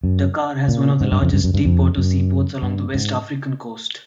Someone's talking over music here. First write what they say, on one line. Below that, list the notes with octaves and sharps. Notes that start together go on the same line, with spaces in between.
Dakar has one of the largest deep-water seaports along the West African coast.
F#2
A#2
G#2
G2
F2
G2
F#2
G2
F2
F#2
G2
G#2